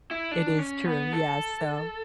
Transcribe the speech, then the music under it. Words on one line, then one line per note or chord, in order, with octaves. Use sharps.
It is true. Yes, so
E4
D4
C#4
B3
A4